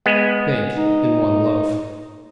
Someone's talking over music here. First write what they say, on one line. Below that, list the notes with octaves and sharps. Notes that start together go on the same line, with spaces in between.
Bake in one loaf.
G#3 B3
D#4